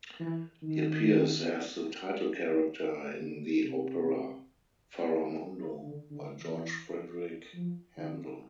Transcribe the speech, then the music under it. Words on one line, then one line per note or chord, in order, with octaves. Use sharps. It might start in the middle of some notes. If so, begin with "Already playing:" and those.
He appears as the title character in the opera "Faramondo" by George Frideric Handel.
E3
D#3
D3
C3
D3
D3
E3
F3
D#3